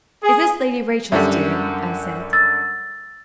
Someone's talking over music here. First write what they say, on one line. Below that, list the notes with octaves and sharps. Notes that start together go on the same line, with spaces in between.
"Is this Lady Rachel's doing?" I said.
G#4
F#2 D3 G3 E5
E6 A6